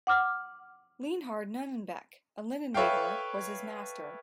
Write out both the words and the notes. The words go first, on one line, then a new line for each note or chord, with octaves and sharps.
Lienhard Nunnenbeck, a linen weaver, was his master.
F#5 D6 F6
A4 B4 C#5 E5 F5 G5